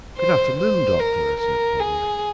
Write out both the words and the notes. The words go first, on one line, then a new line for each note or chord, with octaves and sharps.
"Good afternoon, Doctor," I said formally.
C5
C5
A#4
A#4
G#4